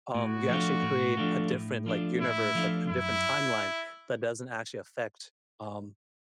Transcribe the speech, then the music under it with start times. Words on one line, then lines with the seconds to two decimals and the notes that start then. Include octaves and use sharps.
um, you actually create a different, like, universe, like, a different timeline that doesn't actually affect, um,
0.14 A2 F#4
0.49 F3 A3 D4 F4
0.82 A2
1.17 F3 A3 D4 F4
1.52 A2
1.86 F3 A3 D4 F4
2.20 A2 E4
2.55 F3 A3 D4 F4
2.89 F#2 E4